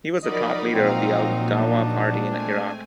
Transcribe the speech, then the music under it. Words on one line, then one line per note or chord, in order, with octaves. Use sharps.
He was a top leader of the Al-Da'wa Party in Iraq.
F3 F#3 D#4 A#4 D5 D#5 B5
A#2 C4 F5 A#5
A#2
D4
G#3 A3 C4 G#5